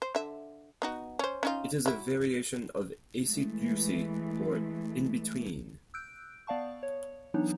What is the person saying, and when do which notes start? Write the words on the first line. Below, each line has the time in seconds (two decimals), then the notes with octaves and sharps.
It is a variation of acey-deucey or in-between.
0.02 C5
0.15 D3 E5
0.82 B3 D#4 F#4
1.19 C#4 C5
1.43 C#4 D#4 F4
1.86 F#3 E4
3.26 E3 G#3 A3
5.94 E6 F#6 G6 D7
6.47 B3 D5 F5 A5 C#6
6.83 C#5
7.34 E3 F#3 B3 D4 D#4 C#5